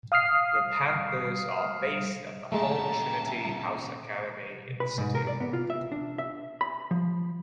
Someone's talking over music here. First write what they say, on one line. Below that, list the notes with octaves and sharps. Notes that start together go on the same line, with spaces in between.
The Panthers are based at the Hull Trinity House Academy in the city.
F5 D#6 F6 C7
A#2 C#3 G#3 A3 G4 E5 A5 A#5
B4
G#2
A#4
D5
B3
F4
E5
D4
E5
B5
F3